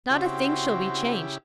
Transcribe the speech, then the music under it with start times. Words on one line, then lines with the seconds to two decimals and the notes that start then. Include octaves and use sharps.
Not a thing shall be changed.
0.10 C#3 C4 E4 F#4 G4 C6